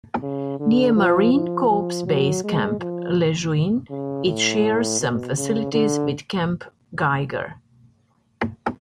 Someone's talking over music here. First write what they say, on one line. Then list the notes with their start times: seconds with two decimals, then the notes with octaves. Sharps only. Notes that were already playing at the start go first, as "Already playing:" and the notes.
Near Marine Corps Base Camp Lejeune, it shares some facilities with Camp Geiger.
0.23 C#3
0.60 D3
0.96 F3
1.33 F3
1.69 F3
2.07 F#3
2.44 G#3
2.80 F3
3.90 C#3
4.27 A2
5.00 B2
5.37 C#3
5.73 D3